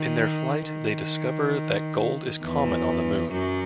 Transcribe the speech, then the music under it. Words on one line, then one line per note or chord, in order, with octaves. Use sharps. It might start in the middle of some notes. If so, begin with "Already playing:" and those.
In their flight they discover that gold is common on the moon.
Already playing: D#3
D#3
E2 E3
F#2 F#3